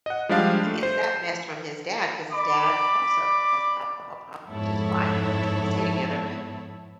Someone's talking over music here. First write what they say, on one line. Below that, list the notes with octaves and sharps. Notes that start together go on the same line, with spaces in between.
and he gets that mess from his dad 'cause his dad also has an alcohol problem, which is why we didn't stay together
D#5 F#5
F3 G3 G#3 D4 G4 F5
A3
C5
D5 B5 D6
F2 G#2 B3 E4 A4 C#5